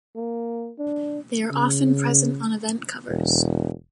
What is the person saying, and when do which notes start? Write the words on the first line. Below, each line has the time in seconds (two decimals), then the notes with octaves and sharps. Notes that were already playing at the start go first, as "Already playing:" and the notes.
They are often present on event covers.
0.16 A#3
0.79 D4
1.51 C#3
3.09 E1